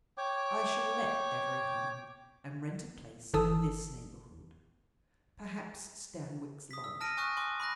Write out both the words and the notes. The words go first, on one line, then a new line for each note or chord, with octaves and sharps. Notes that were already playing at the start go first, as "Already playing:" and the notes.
I shall let Everingham, and rent a place in this neighbourhood; perhaps Stanwix Lodge.
C#5 G5 D6
G1 E3 A4 A5 D#6 E6
D#6 B6
E6
A5 F6 A#6 D7 D#7
G#5 C#6 D#6 F#6
G#5 C6 D6
B5 D6 F#6 A#6